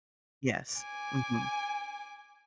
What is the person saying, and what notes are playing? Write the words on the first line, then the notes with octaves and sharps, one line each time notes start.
Yes, mhm.
G#5 D6